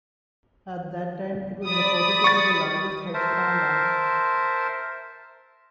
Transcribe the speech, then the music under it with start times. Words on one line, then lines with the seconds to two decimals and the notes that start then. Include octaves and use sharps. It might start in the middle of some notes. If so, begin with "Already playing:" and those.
At that time, it was reported to be the largest hedge fund launch.
1.65 D5 B5 D#6
2.24 C#6 A6
3.14 A#4 C5 E5 A5